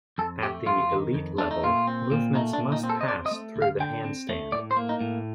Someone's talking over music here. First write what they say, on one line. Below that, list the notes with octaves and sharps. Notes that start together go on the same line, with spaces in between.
At the Elite level, movements must pass through the handstand.
F2 A4
A3 G4
F2 F4
D#3
F2
A3 D4
D#4
A#2 F4
C4
A#2
A3 D#4
D4
A#2
D#4
C4
A4
D#5
C4 D5
D#5
A3
D2
F5
D3 G5
C4
A3
A2 D5
C5
A#3
D#4
A2